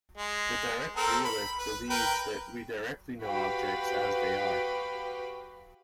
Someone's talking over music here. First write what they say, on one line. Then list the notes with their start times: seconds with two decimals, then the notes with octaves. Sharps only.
The direct realist believes that we directly know objects as they are.
0.17 G#3
0.96 C4 A4 A#4
1.25 B5
1.58 B4
1.90 A#4 B4 G5
3.22 F#4 G4 B4 F5 G5 B5